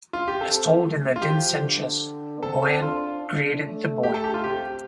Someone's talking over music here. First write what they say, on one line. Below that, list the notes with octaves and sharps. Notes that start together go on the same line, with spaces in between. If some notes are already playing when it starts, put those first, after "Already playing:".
As told in the Dindsenchas, Boann created the Boyne.
F4
G4
C4 A4
A3
F4
F3 G4
D3
C4 A4
A4
D4 F4
D4
A3
G4
A4
G4
F4
C3 G4